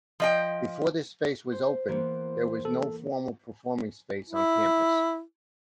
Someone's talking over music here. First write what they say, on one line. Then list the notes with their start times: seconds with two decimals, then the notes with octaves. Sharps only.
Before this space was opened there was no formal performing space on campus.
0.20 F3 D#5 G5
1.52 C5
1.88 E3 A#3 B3 C5
2.65 A4
4.30 E4